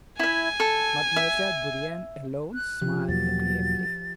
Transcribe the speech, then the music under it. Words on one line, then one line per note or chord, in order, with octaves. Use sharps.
Mademoiselle Bourienne alone smiled agreeably.
E4 E5 G#5
A4
E5
F#6
C3 F3 G4
E2 B2 F#3 A#3 A6